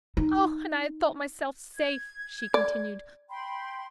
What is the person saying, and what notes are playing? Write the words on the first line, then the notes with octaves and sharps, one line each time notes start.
"Oh! and I thought myself safe," she continued.
D#4
G#6
D5
G5 B5 C6